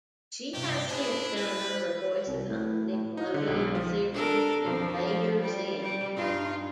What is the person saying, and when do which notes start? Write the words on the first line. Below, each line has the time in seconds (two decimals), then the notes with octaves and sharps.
She has since done a number of voices on the Nickelodeon series "Invader Zim".
0.54 G2 C3 G4
0.87 D4 E4 G#4 C5
1.36 G#4 B4
1.68 C5
2.27 C2
2.49 A2
2.92 A2
3.17 D#4
3.34 D3
3.47 B1
3.75 F3
4.12 D4 A4 A#4
4.64 F2 F3
5.41 G3
5.81 G3
6.16 G2 D#4 F4